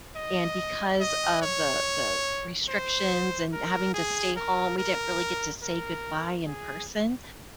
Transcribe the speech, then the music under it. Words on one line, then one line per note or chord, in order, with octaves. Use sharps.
and because of the the restrictions and having to stay home, we didn't really get to say goodbye in person,
D#5
D#5
C#5
C5
A#4
G#4
A#4
A#4
A#4
G#4